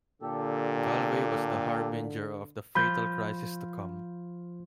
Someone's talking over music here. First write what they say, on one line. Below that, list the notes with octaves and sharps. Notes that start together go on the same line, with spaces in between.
Galway was the harbinger of the fatal crisis to come.
A#2 D3 G4 A4
F3 B5 G6